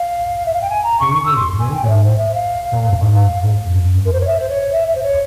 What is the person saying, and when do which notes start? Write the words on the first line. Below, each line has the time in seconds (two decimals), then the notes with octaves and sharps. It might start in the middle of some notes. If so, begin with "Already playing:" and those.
David Ragan qualified on the pole position.
Already playing: F5
0.46 E5
0.54 F5
0.62 G5
0.70 G#5
0.84 A#5
1.00 C#6
1.14 C#6
1.26 E6
1.36 C6
1.60 G#5
1.74 G5
1.85 C#5
1.89 E5
2.04 C5
2.18 E5
2.34 F5
3.15 F5
4.05 A#4
4.13 C5
4.21 C#5
4.27 E5
4.40 C5
4.49 C#5
4.73 E5
4.88 E5
4.95 C5
5.03 C#5